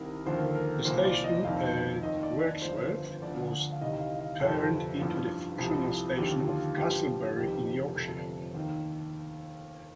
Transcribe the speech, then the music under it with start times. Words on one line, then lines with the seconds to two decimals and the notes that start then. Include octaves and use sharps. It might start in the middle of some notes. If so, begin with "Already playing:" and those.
The station at Wirksworth was turned into the fictional station of 'Castlebury' in Yorkshire.
Already playing: C2 C3 D#3 A#4
0.26 D#2 D3 F3 C5
0.35 A#4
0.46 A4
0.55 A#4
0.85 C2 A#2 F3 C5
1.05 D5
1.24 D#5
1.44 F1 F2 D#3 F5
2.03 D#2 D#3 D#5
2.23 D5
2.42 D5
2.62 G1 G2 F3 C5
3.22 D2 D3 F3 D5
3.72 F5
3.81 C2 C3 D#3 D#5
4.00 F5
4.20 F5
4.40 G1 F2 C3 A4
5.00 A1 G2 F3
5.58 C2 C3 F3
6.18 D#2 D3 F3 G4
6.47 F4
6.77 G1 G2 F3 G4
7.36 F1 F2 D#3 G4
7.95 G1 F2 C3 A4
8.54 D#2 D#3